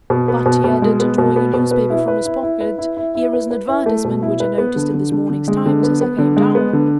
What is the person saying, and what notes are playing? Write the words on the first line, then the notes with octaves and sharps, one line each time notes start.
But," he added, drawing a newspaper from his pocket, "here is an advertisement which I noticed in this morning's Times as I came down.
B2
B3
B2
B2
G#3
B3
B2
B3
B2
B4
E4
B4
E4
E4
B4
E4
E4
E4
B4
B4
E4
A3
B2
E4
B4
B3
D3
D3
D3
D3
G#3
D3
B3
B3
D3
G#3
B3
D3